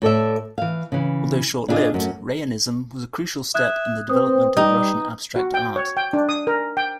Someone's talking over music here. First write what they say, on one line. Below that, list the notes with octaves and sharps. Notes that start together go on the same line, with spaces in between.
Although short-lived, Rayonism was a crucial step in the development of Russian abstract art.
A2 A4 D5 E5
E3 F5
C#3 E3
D4 E4 F4 G#4 D#5
F#2 A3
E5 D#6 F#6 G#6
C4 B4 C5 D#6
G3 D#4 G4
F#4
G5
C#5
G5
D4
D#6
A#4
G5